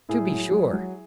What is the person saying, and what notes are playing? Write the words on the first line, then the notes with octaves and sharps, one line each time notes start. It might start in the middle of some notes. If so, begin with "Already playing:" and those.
To be sure.
A2 E4 G#4
F#3
F#3
F#3